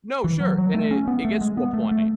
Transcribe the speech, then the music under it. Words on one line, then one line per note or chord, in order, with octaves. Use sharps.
No, sure, and it it gets to a point.
E3
F#3
F#3
A3
C#4
B3
A3
G#3
B3
A3
A3